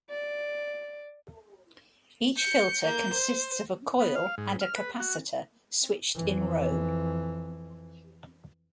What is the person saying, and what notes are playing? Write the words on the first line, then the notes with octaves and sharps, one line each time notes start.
Each filter consists of a coil and a capacitor switched in row.
D5
G6 C#7
A#3 G6
C5
B3
F5
G#2
F6
B4
F#4
F2 E3